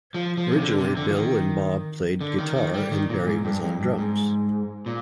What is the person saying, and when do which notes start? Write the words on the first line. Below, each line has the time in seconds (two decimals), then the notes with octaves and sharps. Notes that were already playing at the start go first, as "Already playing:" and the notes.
Originally Bill and Bob played guitar and Barry was on drums.
0.14 F3
0.37 F3
0.52 C3
0.61 D3
0.79 C3
0.97 D3
1.08 F3
1.14 D#3
2.21 D3
2.39 D#3
2.56 D#3
2.74 G3
2.92 D#3
3.10 A#2
3.27 G#2
3.45 G2
3.63 F2
3.81 G2
3.98 G#2
4.86 A#2